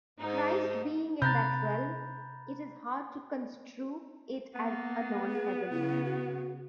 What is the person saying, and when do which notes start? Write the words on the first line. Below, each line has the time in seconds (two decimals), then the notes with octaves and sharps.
Christ being in that realm, it is hard to construe it as a non-heaven.
0.19 G#2 D#4
1.22 C3 A#5 B5 F#6 G6 A6
4.55 A#3 B3
5.31 G#4
5.71 C#3 E4
6.05 F#4